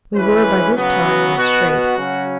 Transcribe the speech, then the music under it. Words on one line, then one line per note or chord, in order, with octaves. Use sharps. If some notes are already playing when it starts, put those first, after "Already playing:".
We were by this time in the street.
E3 G#3 C#4 B4
C#3 F#3 B3
F#4
B2 B3 F#4
F#4
C#3 F#3 C#4